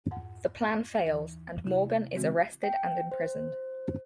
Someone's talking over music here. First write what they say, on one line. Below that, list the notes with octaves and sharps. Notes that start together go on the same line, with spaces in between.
The plan fails, and Morgan is arrested and imprisoned.
F2 G#2 F#5
D#2 E3
C3 E4
C#3 E3 G#3 C4 F#4
G5
C5